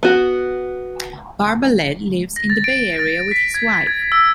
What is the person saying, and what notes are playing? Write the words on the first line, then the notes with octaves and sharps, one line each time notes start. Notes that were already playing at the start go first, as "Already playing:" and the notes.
Barbalet lives in the Bay Area with his wife.
B3 F#4
A#6
A6
D7
A6
B6
G#6
G#6
E6